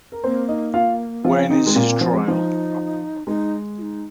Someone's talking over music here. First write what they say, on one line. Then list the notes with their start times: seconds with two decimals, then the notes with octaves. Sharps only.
When is his trial?
0.12 A#4
0.24 A#3 C4 C5
0.48 D#4 D#5
0.74 F4 F5
1.24 F3 C4 F4
1.49 D#3 D#4
1.67 G#3
1.75 A#2 A#3
2.01 F3
2.14 G#3
2.26 F3 D#4
3.27 G#3 D#4
3.78 F4
3.82 D#4